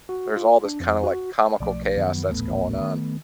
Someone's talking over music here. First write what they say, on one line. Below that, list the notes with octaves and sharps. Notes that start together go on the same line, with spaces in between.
there's all this kind of like comical chaos that's going on.
F#4
F4
D4
F2
F#4
B1 F3 A3 D5
F#2 D#3 F3 F#3 B3
D#1 A1 A3 B3
D#3